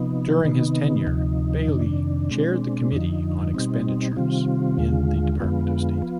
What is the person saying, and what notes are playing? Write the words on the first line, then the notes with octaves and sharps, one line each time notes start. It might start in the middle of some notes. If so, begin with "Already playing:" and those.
During his tenure Bailey chaired the Committee on Expenditures in the Department of State.
Already playing: C3 F3 B3 D#4
C3 D#3 B3
D2 C3 F3
F2 C3 D#3 D4
B2 G#3 C4
F2 D3 F3 D#4
B2 G3 C4
D#4
C3 D#3 G3 C4 F4
D#2 D3 G#3
F2 D3 G#3 B3 F4
F3 B3